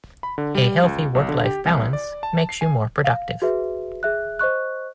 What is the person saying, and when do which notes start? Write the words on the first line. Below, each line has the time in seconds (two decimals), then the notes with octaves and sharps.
A healthy work life balance makes you more productive.
0.23 B5
0.38 D3
0.55 G3
0.83 C#2
1.15 B1
1.29 D3
1.45 G4
1.65 C2
1.93 D5
2.23 A5
2.49 C7
2.61 G#5
3.04 F5
3.42 F#4 G#4 B4 E5
4.03 G#4 E5 F#6
4.39 C5 D#5 C#6 F#6